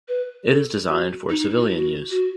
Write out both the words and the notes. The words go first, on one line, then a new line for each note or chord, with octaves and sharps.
It is designed for civilian use.
B4
A4
F#4
D#4
D#4
E4
F#4
E4
F#4
F#4